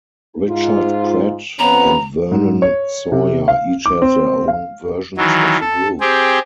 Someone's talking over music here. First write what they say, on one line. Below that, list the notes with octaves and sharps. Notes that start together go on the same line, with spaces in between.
Richard Pratt and Vernon Sawyer each have their own versions of the group.
G#2 F4
F2 B3 C#4 A#5
G#2
C#5
C3
F5
D6
C4
F5
D#3 E3 F#3
A4
C4 G4 G#4